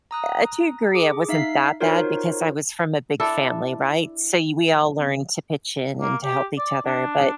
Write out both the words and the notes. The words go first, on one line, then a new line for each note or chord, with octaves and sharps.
Eh, to agree I wasn't that bad, because I was from a big family, right? So, you we all learned to pitch in and to help each other, but
A#5 D#6 F#6
G#4 D6
D#4 E5 F5 B6 C7
D#4 F4 F#4 A#4 C5 C#5
D4 E4 A4
A#3
G4
D5
D4